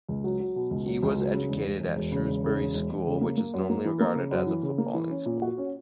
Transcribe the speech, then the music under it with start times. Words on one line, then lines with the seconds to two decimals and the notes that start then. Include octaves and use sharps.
He was educated at Shrewsbury School, which is normally regarded as a footballing school.
0.09 C#2
0.24 F#3
0.40 F#3
0.56 B2
0.71 C#2
0.86 F#3
1.03 C#2
1.18 F#3
1.34 C#3
1.49 E1
1.65 E1
1.80 E1
1.96 E1
2.12 C#3
2.28 E1
2.44 C#3
2.60 E1
2.74 E1
2.91 E1
3.07 C#3
3.21 A#3
3.37 A#3
3.54 F#2
3.70 A#3
3.85 E3
4.00 A#3
4.16 C#3
4.31 F#2
4.47 E3
4.63 C#3
4.78 A#3
4.94 E3
5.10 C#4
5.26 A#2
5.42 F#4
5.58 C#4